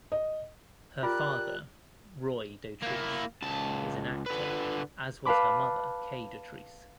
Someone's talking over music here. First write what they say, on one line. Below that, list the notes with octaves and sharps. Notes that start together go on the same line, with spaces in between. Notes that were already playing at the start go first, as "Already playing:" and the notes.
Her father Roy Dotrice is an actor, as was her mother Kay Dotrice.
D#5
F4 G4 A#4 D5 F#6
A#3 E4
C#2 A5
D3 B4
B4 F5 A5 B5 D6